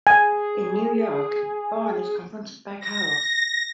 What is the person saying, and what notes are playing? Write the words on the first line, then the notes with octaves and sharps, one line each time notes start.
In New York, Bourne is confronted by Carlos.
G#4 G#5
A#6